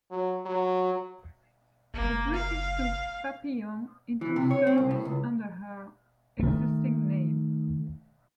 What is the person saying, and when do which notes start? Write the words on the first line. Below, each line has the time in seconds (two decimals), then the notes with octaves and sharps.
The British took "Papillon" into service under her existing name.
0.11 F#3
0.46 F#3
1.94 F#1 A#3
2.34 F5
4.21 E3
4.36 C3
4.51 C#5
4.67 C4
4.78 C2
4.91 A2
5.05 C#2
6.40 D#3 A3